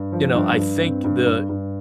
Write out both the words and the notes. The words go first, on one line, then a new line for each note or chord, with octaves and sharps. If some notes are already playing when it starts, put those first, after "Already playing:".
you know, I think the
Already playing: G2
F3
G2
G2
C4
G2
G2
G2